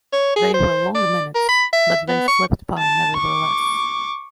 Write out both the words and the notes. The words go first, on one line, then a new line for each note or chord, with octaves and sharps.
They were long minutes, but they slipped by nevertheless.
C#5
G#4
C5
D5
A#4
B5
E5
B3
C#6
A5
C#6 D6